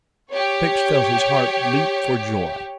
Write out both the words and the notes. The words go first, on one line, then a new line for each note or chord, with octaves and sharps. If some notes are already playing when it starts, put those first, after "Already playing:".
Fix felt his heart leap for joy.
G4 C#5